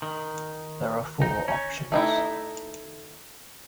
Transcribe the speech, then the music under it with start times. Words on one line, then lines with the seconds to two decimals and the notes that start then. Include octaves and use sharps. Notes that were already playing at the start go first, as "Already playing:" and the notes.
There are four options.
0.02 D#3
1.22 D#4
1.48 C#4
1.92 A3 D#4 E4